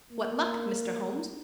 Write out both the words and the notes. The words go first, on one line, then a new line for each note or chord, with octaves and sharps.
"What luck, Mr. Holmes?"
A#3